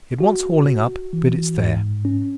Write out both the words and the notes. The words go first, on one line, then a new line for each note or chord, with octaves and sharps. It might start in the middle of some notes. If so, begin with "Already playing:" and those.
It wants hauling up, but it's there.
F#4
F#4
E3
G#2
C#4